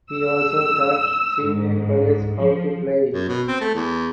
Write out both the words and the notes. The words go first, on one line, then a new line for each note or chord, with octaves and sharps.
He also taught civilian pilots how to fly.
E6
G#2
F3
F#2
B2
C4
A3
E2